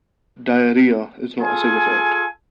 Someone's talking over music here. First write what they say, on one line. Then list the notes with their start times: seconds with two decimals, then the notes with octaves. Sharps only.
Diarrhea is not a side effect.
1.41 F4 G#4 A4 G#5